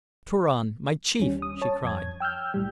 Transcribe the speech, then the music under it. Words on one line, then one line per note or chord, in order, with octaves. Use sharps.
"Turan, my chief!" she cried.
D#2 G3 C#4
D#6
C#5 A5
F2 G#6
G5 E6 F6 G6
C2 A2 G3